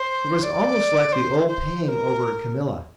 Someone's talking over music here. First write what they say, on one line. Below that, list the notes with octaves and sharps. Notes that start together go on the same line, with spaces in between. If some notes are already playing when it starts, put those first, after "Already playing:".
It was almost like the old pang over Camilla.
Already playing: C5
D5
C5
C5
C5
A#4